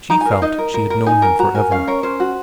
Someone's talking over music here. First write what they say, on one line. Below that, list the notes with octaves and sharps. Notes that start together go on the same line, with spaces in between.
She felt she had known him for ever.
D#4 A#5
A#4 G#5
F5
D#4 D#5
A#4
A#4
A#4
D#4 G#5
A#4
F#4 A#5
A#4 G#5
C#4 F5
A#4 C#5
C#4 C5
F#4